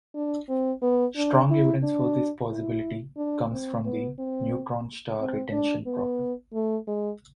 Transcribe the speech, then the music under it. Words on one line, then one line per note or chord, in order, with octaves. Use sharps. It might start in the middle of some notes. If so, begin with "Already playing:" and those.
Strong evidence for this possibility comes from the "neutron star retention problem".
D4
C4
B3
D4
E4
D4
E4
D4
C4
B3
C4
C4
D4
B3
A3
G#3